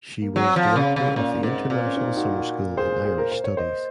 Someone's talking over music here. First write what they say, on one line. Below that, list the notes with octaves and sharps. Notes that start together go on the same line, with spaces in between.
She was director of the International Summer School in Irish Studies.
A#3
F#3 C4
F3
C#3
C#3
A#2 A#3
A#3
G#2 C4
A#2 C4
C#4
C4 D#4
D#4 F#4
D#4 F#4
G#4 C5
G#4
A#4
C5
C#5
C5 D#5